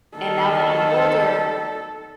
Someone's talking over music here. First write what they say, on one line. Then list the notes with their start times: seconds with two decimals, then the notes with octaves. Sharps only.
and now that I'm older,
0.17 D#3 A4